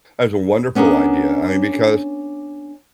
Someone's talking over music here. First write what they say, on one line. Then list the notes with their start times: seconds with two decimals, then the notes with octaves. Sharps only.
That's a wonderful idea, I mean, because
0.75 B3 C#4 D4 G#4 A#4